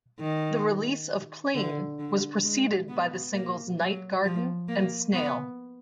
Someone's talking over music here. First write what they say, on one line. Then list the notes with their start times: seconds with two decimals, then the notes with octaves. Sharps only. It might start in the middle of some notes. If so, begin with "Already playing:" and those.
The release of "Plain" was preceded by the singles "Night Garden" and "Snail".
0.20 D#3
1.55 D3
1.99 D3
2.44 G#3
2.89 B3
3.33 A#3
3.79 F#3
4.24 F3
4.68 A#3
5.13 B3